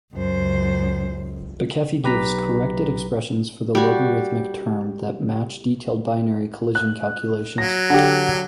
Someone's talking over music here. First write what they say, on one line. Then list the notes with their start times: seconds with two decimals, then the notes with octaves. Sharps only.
Bekefi gives corrected expressions for the logarithmic term that match detailed binary-collision calculations.
0.15 C#2 F#2 C5
2.03 B1 G4 B4 A#5 B6
3.75 G3 F#4
6.75 F#6
7.58 F#3 A#6
7.90 D3 G4